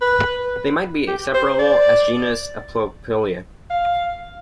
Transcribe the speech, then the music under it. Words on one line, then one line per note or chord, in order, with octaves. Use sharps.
They might be separable as genus Aplopelia.
B4
G4
C5
D5
F5